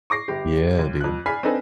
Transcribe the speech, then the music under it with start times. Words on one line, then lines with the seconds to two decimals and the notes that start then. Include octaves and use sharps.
Yeah, dude.
0.10 C#6 D6 A#6 C7
0.28 G1 G4
0.79 D#2
1.00 F2 F#6
1.26 D5 G#5 B5 F6 B6 C7
1.43 C4 D4 D#4 A4 B4 G#5